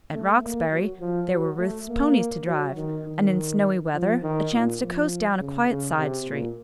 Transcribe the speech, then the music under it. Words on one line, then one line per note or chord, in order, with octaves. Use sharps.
At Roxbury, there were Ruth's ponies to drive, and in snowy weather a chance to coast down a quiet side street.
A3
A#3
F#3
F3
F#3
A3
A#3
F#3
D#3
D#3
F3
D#3
A#2
F3
C#3
C#3
C3
A#2